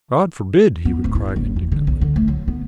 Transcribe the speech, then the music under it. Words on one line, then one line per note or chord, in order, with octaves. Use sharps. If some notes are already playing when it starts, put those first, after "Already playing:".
"God forbid!" he would cry indignantly.
B3
D1
E4
F#1
E2
D3
B1
D3
A3
F#3
B3